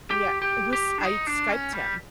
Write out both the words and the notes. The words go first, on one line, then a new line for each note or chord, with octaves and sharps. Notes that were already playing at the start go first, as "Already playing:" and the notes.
yeah, it was I Skyped him.
G4
G4
G4
D4
D#4
D4
C#4
G3